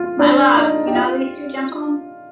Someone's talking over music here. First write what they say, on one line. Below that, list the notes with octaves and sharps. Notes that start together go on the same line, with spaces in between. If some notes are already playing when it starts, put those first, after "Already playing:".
My love, you know these two gentlemen?
Already playing: F4
D4
D#4
G4
F4